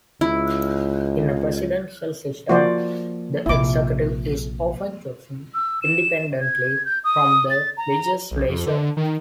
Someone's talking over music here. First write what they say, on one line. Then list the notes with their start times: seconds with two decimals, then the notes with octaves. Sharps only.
In a presidential system, the executive is often chosen independently from the legislature.
0.21 C#2 E4
2.49 F3 A#3 F#4 C5 D5
3.46 A#1 C3 E4 D6
5.54 E6
5.82 E7
6.41 G#6
6.85 G6
7.04 D#6
7.50 A6
7.77 A#5
8.31 B1
8.49 F2
8.66 D3
8.97 D#3